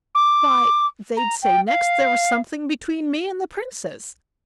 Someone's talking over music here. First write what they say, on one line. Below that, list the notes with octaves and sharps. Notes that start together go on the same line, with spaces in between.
'Why they'd say next there was something between me and the Princess.'
D6
A#5
G5
F5